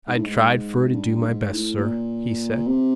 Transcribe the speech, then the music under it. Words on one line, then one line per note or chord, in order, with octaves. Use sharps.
"I tried fer to do my best, sir," he said.
G#2
A2
G#2
G2
G#2
A2
A2
A#2
C3